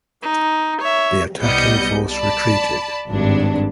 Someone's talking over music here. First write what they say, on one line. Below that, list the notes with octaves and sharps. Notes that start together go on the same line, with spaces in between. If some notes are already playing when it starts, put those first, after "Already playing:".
The attacking force retreated.
D#4
C#5 E5
C2 G3 B3 D#5 G6 C#7
D5 A5 B5
G#1 G2 D4